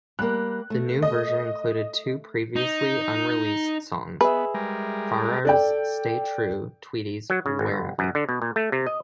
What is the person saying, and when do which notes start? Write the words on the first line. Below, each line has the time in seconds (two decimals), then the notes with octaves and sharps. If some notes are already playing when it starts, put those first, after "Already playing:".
The new version included two previously unreleased songs: Farrar's "Stay True", Tweedy's "Wherever".
0.19 G3 A#3 F#6
0.70 A3
1.02 D#5
2.56 D#4
4.21 B3 G#4 B4 E5
4.54 G3 G#3 A#4
5.45 A4 D5 G5
7.30 F#3
7.46 C#3
7.59 G#1
7.72 G1
7.99 F#2
8.15 D3
8.29 B2
8.42 A#2
8.56 A3
8.72 C3
8.87 D#5